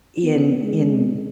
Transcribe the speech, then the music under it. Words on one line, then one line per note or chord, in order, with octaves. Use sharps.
in in
B3
G#3